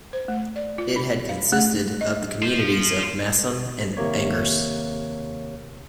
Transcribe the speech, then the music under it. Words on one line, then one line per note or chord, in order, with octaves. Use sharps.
It had consisted of the communities of Masson and Angers.
C5
A3
D5
F4
B5
F5
A3
D#5
F4 C5
D#2 C3 A#3 C#5